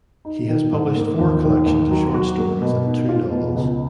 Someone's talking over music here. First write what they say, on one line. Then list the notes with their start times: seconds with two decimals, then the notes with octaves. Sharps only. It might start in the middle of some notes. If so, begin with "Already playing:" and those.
He has published four collections of short stories and two novels.
0.25 D#4
0.48 D#3
0.72 G#2
0.96 A#3
1.19 D#2
1.44 D#3
1.66 D#2
1.91 F#3
2.14 F#4
2.37 A#3
2.62 B2
2.84 D#4
3.09 F4
3.31 B2
3.55 C#2